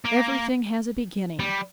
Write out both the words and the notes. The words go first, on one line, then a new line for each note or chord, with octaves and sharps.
Everything has a beginning.
A#3
G3